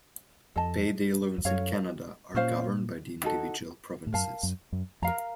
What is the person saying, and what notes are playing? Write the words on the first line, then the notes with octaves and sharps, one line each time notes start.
Payday loans in Canada are governed by the individual provinces.
F2 A4 D#5 A5
F2
F#2 A4 C#5 F5
A#2 C#4 F4 C5 F5
D#4 F#4 A4
A2
F#2 A#4 F5 A5
F#2
F#2
F2 A#4 F5 A#5